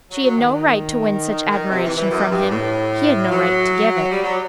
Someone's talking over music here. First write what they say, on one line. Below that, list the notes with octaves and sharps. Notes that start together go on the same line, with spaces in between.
She had no right to win such admiration from him--he had no right to give it.
F#3
F#3
D#3
D#3
D#3
C3
E3
E3
F#2
G2
A2
F#3
G3
F#3